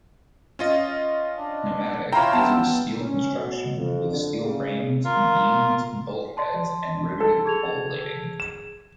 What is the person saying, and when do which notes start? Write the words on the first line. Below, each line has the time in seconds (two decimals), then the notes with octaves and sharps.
"Nomadic" is of steel construction, with steel frames, beams, bulkheads and riveted hull plating.
0.59 C#4 F4 D#5
1.37 D4
2.12 E4 F4 C#5 F5 G5 A#5 E6
2.33 B3 A5
3.01 C#4
3.32 B2
3.76 F2
4.12 D3
4.41 C#3
5.05 F4 A#4 F5
6.37 A5 C6
7.20 A4
7.45 G#4 G#6 F7
8.40 E7